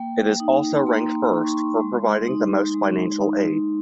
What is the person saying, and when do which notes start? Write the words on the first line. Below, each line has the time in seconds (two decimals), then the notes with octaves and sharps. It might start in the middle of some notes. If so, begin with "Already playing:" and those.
It is also ranked first for providing the most financial aid.
Already playing: A#3 G5
0.40 D#4
0.75 C6
0.86 A#3 A#5
1.34 D#4 C6
1.43 C#6
1.53 C6
1.80 G#3
2.28 D#4
2.74 G#3
3.21 D#4